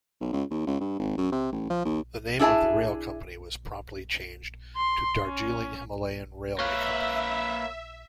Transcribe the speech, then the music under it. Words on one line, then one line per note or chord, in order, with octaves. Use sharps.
The name of the rail company was promptly changed to Darjeeling Himalayan Railway Company.
B1
C#2
D#2
C#2
G2
G#1
F#2
C3
A1
F3
D#2
D4 E4 G#4 E5 A5
C6
C#4
A#3 B4 C#5 E5 F5